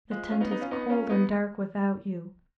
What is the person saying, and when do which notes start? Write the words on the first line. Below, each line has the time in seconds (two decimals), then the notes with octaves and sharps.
The tent is cold and dark without you....
0.11 F3 G#3
0.31 C#4 F4
0.41 B3 D#4
0.51 B3 D#4
0.61 C#4 F4
0.71 B3 D#4
0.90 C#4 F4
1.10 B3 D#4